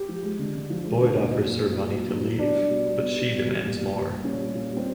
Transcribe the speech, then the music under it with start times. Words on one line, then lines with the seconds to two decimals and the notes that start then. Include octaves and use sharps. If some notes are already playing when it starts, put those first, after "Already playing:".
Boyd offers her money to leave but she demands more.
Already playing: G4
0.08 F3
0.23 G#3
0.39 D3
0.55 D3
0.70 F3
0.85 G#3
1.01 D3
1.16 A#2
1.31 F#3
1.47 A#2
1.62 F#3
1.78 A#2
1.93 F#3
2.08 A#2
2.23 F#3
2.39 B2 D4
2.55 G3
2.70 B2
2.86 G3
3.02 B2
3.16 G3
3.32 B2
3.48 G3
3.63 A#2
3.78 G3
3.94 A#2
4.09 G3
4.24 A#2 C#4
4.40 G3
4.55 A#2
4.71 G3
4.77 C4